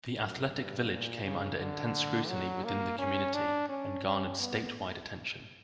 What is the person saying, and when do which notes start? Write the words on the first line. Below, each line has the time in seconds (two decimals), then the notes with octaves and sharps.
The athletic village came under intense scrutiny within the community and garnered statewide attention.
0.19 F#2
0.53 G2
0.89 A#2
1.24 C#3
1.59 D3
2.29 F#3
2.64 A#3
2.99 C#4
3.34 D4
3.69 C#4
4.05 C#4
4.39 B3